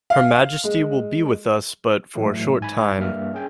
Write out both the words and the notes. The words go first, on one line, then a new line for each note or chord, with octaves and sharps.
Her majesty will be with us but for a short time.
F5
G#3
A2 E3 F#3 A3
G#2 G#5 B5
G2 G3 A#3 E5 F6
C#4 G#4 G5 G#5